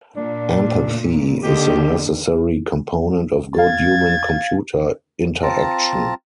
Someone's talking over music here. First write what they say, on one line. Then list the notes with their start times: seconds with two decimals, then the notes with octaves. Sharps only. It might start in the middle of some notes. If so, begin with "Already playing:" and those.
Empathy is a necessary component of good human computer interaction.
0.16 A#2 D4
1.43 D3 D#3 A#3 G4
3.58 F5 G#6 A6
5.43 C4 F4 A5 A#5